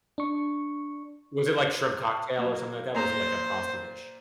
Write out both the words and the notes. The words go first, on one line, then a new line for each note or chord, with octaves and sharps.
was it like shrimp cocktail, or something like that, or was it like a pasta dish?
D4 C#6
F#3 A#3
A#2 C5 A#5